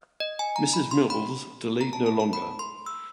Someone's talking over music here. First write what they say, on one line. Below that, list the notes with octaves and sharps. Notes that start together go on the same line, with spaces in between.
Mrs. Mills delayed no longer.
D#5
G#5
A#5
B5
C6
B5
A#5
A5
A5
A5
B5
C6
E6